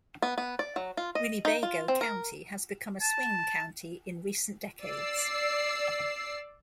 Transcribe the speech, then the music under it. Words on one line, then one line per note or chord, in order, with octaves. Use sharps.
Winnebago County has become a swing county in recent decades.
B3
B3
D5
F#3
F4
D#5
D#4
F4
C4
A#4
A5
D5 E6 C7